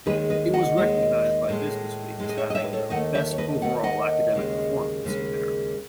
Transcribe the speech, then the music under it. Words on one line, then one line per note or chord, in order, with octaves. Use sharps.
It was recognized by BusinessWeek as having the "Best Overall Academic Performance" in Maryland.
D#2 D#3 G#3 G#4 B4
B4 D#5
D#5 F#5
D#2 D#3 G#3
A2 G#3
A2 G#3
D#5
C#5 E5
D#5
C#5 E5
B4
A4 C#5
D#2 D#3 A3 D#5 F#5
C#5 E5
C#5
B4 D#5
D#2 D#3 A3 F#5
D#5 F#5
D#2 C#3 G#3
D#2 C#3 G#3